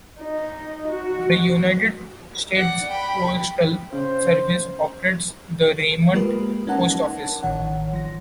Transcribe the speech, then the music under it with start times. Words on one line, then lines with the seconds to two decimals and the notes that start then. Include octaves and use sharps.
The United States Postal Service operates the Raymond Post Office.
0.19 D#4
0.88 F#4
2.53 D5 F#5
2.89 G5 B5
3.92 C#3 C5
6.13 G#3 A#3 F4 G4 A#4 B4
6.67 C#4 D#4 A#4 F#5 A5
7.43 A1 D#3 C#5 F#5
7.93 F3 A#6